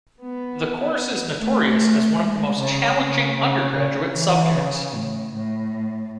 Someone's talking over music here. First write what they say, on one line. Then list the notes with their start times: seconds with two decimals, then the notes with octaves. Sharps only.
The course is notorious as one of the most challenging undergraduate subjects.
0.22 B3
1.40 A3
2.19 G#3
2.58 C#3
3.37 C#3
3.76 C#3
4.16 E3
4.55 C#3
4.94 A2
5.34 A2